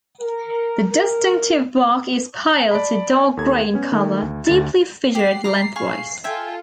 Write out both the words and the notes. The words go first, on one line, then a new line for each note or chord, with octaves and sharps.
The distinctive bark is pale to dark grey in colour, deeply fissured lengthwise.
A#4
A#4
D5 A5 B5
D#2 A4 G#6
B3 C#4
D#3 A3
D2
D2 D3 A6
G4 F#5 C7
A#5 D6
G#4 F5 C#6
F4 A4 E5 G5 G#5